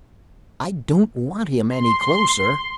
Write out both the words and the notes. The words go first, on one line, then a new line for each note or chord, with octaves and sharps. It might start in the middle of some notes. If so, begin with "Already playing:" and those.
"I don't want him any closer."
C6